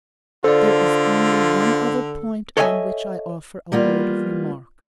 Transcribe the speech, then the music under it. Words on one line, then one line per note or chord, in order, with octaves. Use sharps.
There is only one other point on which I offer a word of remark.
D3 F4 A4 C5 D5
A4 C#5 D#5 E5 F#5 G#5
G3 A#3 B3 F4